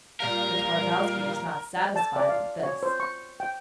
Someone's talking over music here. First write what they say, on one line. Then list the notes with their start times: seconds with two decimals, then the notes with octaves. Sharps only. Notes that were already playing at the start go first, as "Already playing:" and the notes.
But Twardowski was not satisfied with this.
0.20 A#2 G3 A#4 F5
1.96 A5
2.16 D5
2.29 F5
2.63 C#5
2.83 C5
3.00 C#6
3.40 G5